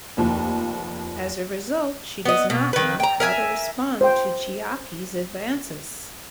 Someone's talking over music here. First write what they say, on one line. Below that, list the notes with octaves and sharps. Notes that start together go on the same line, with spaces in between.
As a result, she does not know how to respond to Chiaki's advances.
F1 D#2 F3
B3 D#5
B2
D#3 B4
G5 A#5
A#4 E5 G#5
C5 G5